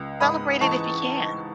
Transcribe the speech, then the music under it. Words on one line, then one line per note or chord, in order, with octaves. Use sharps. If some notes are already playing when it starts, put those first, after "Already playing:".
celebrate it if you can.
Already playing: C#2
G#2 B5 D#6
E3 A5 C#6